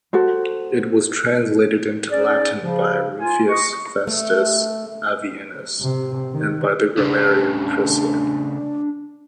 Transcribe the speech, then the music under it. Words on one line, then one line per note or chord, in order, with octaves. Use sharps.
It was translated into Latin by Rufius Festus Avienus, and by the grammarian Priscian.
F#4 A4 C5
C#4 D#4 G#4 D5
C#3 F3
F4 G#5
D#5 C#6
A3
C3
D#3
C#3 A3 D4